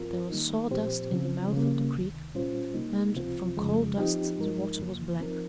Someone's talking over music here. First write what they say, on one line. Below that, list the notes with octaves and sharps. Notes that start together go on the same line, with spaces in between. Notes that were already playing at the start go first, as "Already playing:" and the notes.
There was sawdust in the mouth of the creek and, from coal-dust, the water was black.
Already playing: G2 F3 C4 F4 A#4
D#3 G3 A#3 D#4
A#2 F3 C4 G4 C5
C#3 F3 C4
C#3 G3 A#3
C#2 C3 D#3
A#2 G3 C#4 F4 C5
C2 C3 G3 A#3 D#4
C#2 C3 F3 C4 F4
F2 C#3 F3 G#3
F3 C4 D#4 G4
G#2 F3 G#3 D#4 A#4
F2 C#3 F3 A#3
F3 C4 D#4 A#4